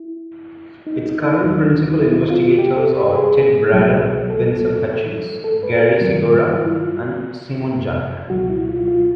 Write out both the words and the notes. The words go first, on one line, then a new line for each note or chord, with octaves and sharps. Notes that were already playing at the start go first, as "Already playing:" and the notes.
Its current principal investigators are Ted Brader, Vincent Hutchings, Gary Segura, and Simon Jackman.
Already playing: E4
D#4
D#4
D#4
D#2 D#3 F#3
E4
F4
G4
A4
G4
G#4
C2 B2 F#3
A4
A4
B4
A4
A#4
G2 D#3 F#3
F4
E4
F4
F#4
C#2 B2 F#3 F#4
E4
F4
F4